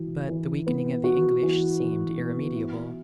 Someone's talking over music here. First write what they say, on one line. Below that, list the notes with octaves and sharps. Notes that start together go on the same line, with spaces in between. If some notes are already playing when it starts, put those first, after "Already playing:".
But the weakening of the English seemed irremediable.
Already playing: E3 F#4
E3
B3
F#4
E3
E3
B3
E4